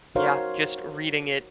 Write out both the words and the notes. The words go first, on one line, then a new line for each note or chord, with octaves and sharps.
Yeah. Just reading it,
D#4 F#4 A#4 C5 C#5 F5